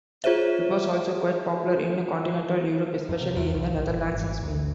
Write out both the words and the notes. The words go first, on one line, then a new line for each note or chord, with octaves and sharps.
It was also quite popular in continental Europe, especially in the Netherlands and Spain.
F4 G#4 C5 C#5 E5
F#2
C3
E2
C2
A#1
G1
G#1
D2